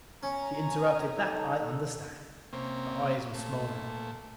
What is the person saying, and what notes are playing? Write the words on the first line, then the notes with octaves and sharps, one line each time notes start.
She interrupted, "That I understand." Her eyes were smoldering.
C#4 G#5 A#5
D#4 A4
C3 A#3 C4 C#4
A#2 A3